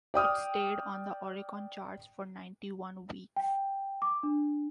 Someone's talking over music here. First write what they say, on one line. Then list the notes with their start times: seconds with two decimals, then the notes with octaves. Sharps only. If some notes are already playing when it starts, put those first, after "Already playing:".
It stayed on the Oricon Charts for ninety-one weeks.
0.14 D5 G5 D#6 F6
3.36 G5
4.02 D6
4.23 D4